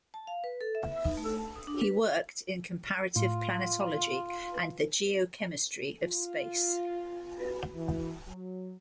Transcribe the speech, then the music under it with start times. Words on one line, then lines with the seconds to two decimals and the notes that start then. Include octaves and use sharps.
He worked in comparative planetology and the geochemistry of space.
0.14 A5
0.27 F5
0.44 B4
0.61 A4
0.75 E5
0.92 E5
1.04 D#4
1.17 A3
1.38 A5
1.56 D#6
1.67 D4
1.81 B4
3.16 A2 F4
6.07 F4
7.75 E3
8.28 F#3